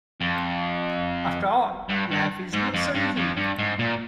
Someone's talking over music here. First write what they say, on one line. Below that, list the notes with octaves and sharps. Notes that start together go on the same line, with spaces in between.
After all, life is not so easy.
F2
G2
G2
G#2
F2
G2
F2
G2
G#2
A#2